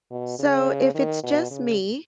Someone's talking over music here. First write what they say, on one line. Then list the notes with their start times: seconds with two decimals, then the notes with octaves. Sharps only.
So if it's just me,
0.11 B2
0.39 C#3
0.95 D#3
1.23 B2
1.50 C#3